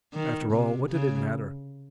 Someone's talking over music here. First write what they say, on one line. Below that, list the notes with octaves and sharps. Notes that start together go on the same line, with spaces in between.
After all, what did it matter?
D#3
C3
C#3